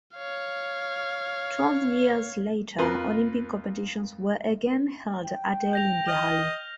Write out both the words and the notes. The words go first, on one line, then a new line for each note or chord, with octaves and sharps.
Twelve years later, Olympic competitions were again held at the Olympiahalle.
C#5 F5
F2 F4 A#4 B4
G5
G6 A#6 F7
D#5 F6 G6